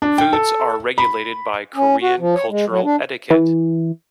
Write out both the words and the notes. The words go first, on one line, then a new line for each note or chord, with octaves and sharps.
Foods are regulated by Korean cultural etiquette.
D4
G5
A4
B5
C#4
F#4
F3
C#5
G#3
F#3
D4
E3